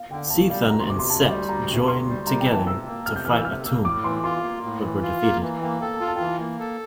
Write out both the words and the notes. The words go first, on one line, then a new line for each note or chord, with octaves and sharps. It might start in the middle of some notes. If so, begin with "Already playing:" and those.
Chthon and Set joined together to fight Atum, but were defeated.
Already playing: F5
D3 G5
D2 A5
G3 F5
D2 A#5
C6
C3 D6
C6
D2 A5
G3
D2 A#5
C3
D2 C6
G3
C3 A#5
G5
E3
A5
C3 E6
A#3
C3 F6
G6
E3 F6
E6
C3 F6
A#3 E6
A2 D6
E3 C6
F4 C6
A#3
A2
E3
F4
A#3
E3 A#5
A#3 G5
A4 G5
A5
F4
A5
G5
E3 A5
A#3
A4